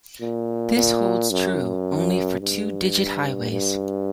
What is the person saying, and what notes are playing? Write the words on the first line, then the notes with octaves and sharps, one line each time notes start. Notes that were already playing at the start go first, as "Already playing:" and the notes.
This holds true only for two-digit highways.
A#2
A#2
F#2
G2
G2